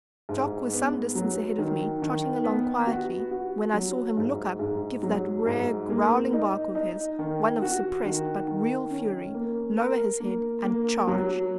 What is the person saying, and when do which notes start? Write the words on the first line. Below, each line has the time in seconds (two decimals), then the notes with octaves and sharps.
Jock was some distance ahead of me, trotting along quietly, when I saw him look up, give that rare growling bark of his--one of suppressed but real fury--lower his head, and charge.
0.29 G#2
0.72 B3
1.15 F#3
1.58 D#3
2.02 D#3
2.44 B3
2.87 F#4
3.31 F#4
3.73 F#3
4.17 G#2
4.59 G#2
5.03 F#3
5.46 G#2
5.90 A#3
6.33 D#4
6.75 D#4
7.19 D#3
7.62 F#4
8.05 D#3
8.47 D#3
8.90 C#4
9.34 A#3
9.78 A#4
10.20 A#3
10.64 A#3
11.07 F#3